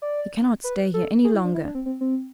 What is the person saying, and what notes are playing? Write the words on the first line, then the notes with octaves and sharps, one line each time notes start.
I cannot stay here any longer.
D5
B4
A4
G#4
E4
D4
E4
D4
C4
C4
C4